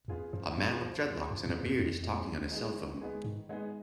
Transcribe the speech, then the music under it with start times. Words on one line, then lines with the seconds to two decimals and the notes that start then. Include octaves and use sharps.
A man with dreadlocks and a beard is talking on his cellphone.
0.08 F2 B3 F4 G#4
0.33 F#2 F3
0.57 F#2 B3 F4 G#4
0.82 F3
1.05 B3 F4 G#4
1.30 F#2 F3
1.46 G#2
1.54 B3 F4 G#4
1.63 F#2
1.79 F2 D#3
2.03 G#3 B3 D#4 G#4
2.27 D#3
2.52 G#3 B3 D#4 G#4
2.76 D#3
3.01 G#3 B3 D#4 G#4
3.24 G#2 D#3
3.49 G#3 B3 D#4 G#4